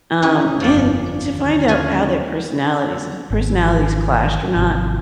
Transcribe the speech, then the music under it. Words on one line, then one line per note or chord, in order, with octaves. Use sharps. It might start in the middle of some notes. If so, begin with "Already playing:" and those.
Um, and to find out how their personalities if personalities clashed or not,
C4 C#4 D#4 E4 G4
G1 F2 F3 D5
D#2 D3
C#4 F4 G#5
G#1
G#1 C3 D#3 F3